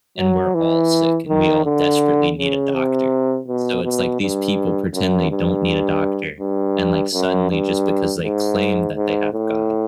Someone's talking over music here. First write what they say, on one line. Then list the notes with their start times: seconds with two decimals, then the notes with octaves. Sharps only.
and we're all sick, and we all desperately need a doctor, so it's like these people pretend they don't need a doctor, and, like, suddenly, just because they claim that they have God,
0.18 F#3
0.54 E3
1.28 D#3
1.65 D3
2.38 C#3
2.74 C3
3.48 B2
3.84 B2
4.20 G2
4.94 F#2
5.30 G2
6.40 G2
7.13 F#2
7.50 G2
8.23 G#2
8.96 G#2
9.33 A2